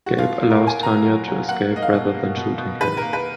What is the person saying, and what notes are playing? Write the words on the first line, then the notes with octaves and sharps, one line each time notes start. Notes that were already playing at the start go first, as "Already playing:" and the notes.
Gabe allows Tanya to escape rather than shooting her.
F#4
B2 F4
A#3
A#4
A#3 G#5
A#3 A#5
F#3
F#3
A#3 F#5
A#3
D#5
F5
B2
A#3
B2
B2
D#3 B4
A#3 A#4
B4